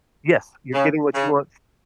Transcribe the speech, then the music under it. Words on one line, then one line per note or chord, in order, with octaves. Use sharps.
Yes, you're getting what you want
C#3
C#3